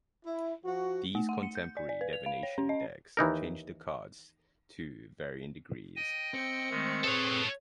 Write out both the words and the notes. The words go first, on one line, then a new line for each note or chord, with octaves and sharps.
These contemporary divination decks change the cards to varying degrees.
E4
F3 F#4
A3
F#5
C#7
G6
D5
D5
B4
F7
F5
C#5
C#4
D#5
D#2 E3 D#4 A#4
D#5 G5 D#7
C4 C#7
D#3 G#3 A3
G#4 A4 B4 C#5